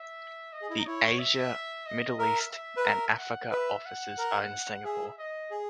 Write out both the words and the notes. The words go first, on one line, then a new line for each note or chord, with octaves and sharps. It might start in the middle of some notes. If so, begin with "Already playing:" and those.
The Asia, Middle East, and Africa offices are in Singapore.
Already playing: E5
D#5
G#4
E4
D#4
E4 C#5
E5
D#5
A#4 E5
E5
B4
A#4
F#5
B4 E5
F#5
A#4
G#4 E5
D#5
G#4